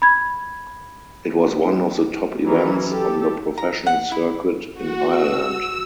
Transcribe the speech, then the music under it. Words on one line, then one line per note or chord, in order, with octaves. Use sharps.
It was one of the top events on the professional circuit in Ireland.
B5 G#6
D#3 E3 F#3 C#4 E4 A#4
G4 A4
A#5
F#5
E4
F#4
E6